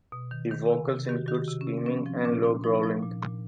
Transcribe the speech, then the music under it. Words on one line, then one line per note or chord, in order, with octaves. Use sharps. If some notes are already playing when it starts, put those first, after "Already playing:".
The vocals include screaming and low growling.
B2
D#3
D#3
C3
C3
G4
D#3 F#4
D#3 F#4
G4
C3
C#4
C3
F3 C#4
F3 C4
A#2 C#4
A#2 D4
F3 D#4
F3
A#2
A#2